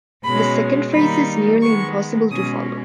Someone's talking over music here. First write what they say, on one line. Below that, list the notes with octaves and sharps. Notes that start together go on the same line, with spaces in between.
The second phrase is nearly impossible to follow.
B2 G#3 C#4 B5
D#3 G3 A#3 D#4 B5
D#3 G#3 B3 C#6
B2 G#3 C#4 D#6